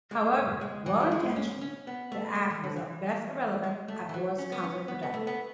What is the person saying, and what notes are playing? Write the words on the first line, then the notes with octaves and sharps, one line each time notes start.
However well-intentioned, the Act was at best irrelevant, at worst counter-productive.
G#3
G#3
E3
F#3
G#3
C#4
C#4
B3
A3
E3
D3
E3
G#3
A3
E3
F#3
C#4
B3
C#4
B3
B3
A3
B3